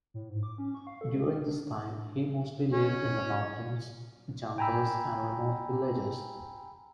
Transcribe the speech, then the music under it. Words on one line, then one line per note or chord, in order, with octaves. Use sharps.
During this time, he mostly lived in the mountains, jungles and remote villages.
A2
G#2
D6
C#4
C#6
F5
A4
G#3
A#4
D4
C#4
G5 G#5 A#5 B5 E6